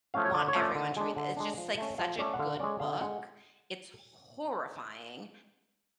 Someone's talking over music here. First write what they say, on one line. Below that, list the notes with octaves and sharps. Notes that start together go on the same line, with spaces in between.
want everyone to read the it's just like such a good book. It's horrifying,
F3 A3 C#4 F5
C#5
D3 D5
C#5
F3 A3 C#4
D5
D3
G#3 D4
D3
G#3 D4
F3
A3 C#4
F3 F5
A3 C#4 D5
F#5
D3 F5
G#3 C#4 D5
D3 F5
G#3 F#5